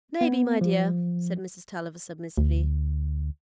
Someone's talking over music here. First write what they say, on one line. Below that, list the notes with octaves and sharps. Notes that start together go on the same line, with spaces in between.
"Maybe, my dear," said Mrs. Tulliver, submissively.
B3
F3
D2